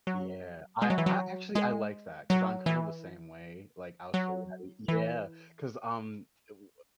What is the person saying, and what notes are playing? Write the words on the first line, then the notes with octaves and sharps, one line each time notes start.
Yeah, I I actually I like that, 'cause I'm kind of the same way, like, I'll show you how to u yeah, 'cause, um, i woah
F#3
G#3
F#3
E3
F#3
G#3
F#3
E3
F#3
E3